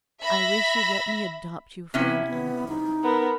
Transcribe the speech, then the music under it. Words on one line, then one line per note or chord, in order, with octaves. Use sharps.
I wish you'd let me adopt you for an uncle.
E5 B5 A#6
C3 B3 C#4 E4
B3
D#4
B3 A#4